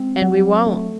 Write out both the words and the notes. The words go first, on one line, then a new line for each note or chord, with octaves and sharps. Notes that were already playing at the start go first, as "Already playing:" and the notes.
And we won't.
Already playing: G#3 C4
F#3
A3